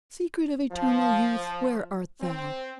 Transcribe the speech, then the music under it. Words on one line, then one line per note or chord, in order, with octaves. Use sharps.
Secret of eternal youth--where art thou?
F3
C4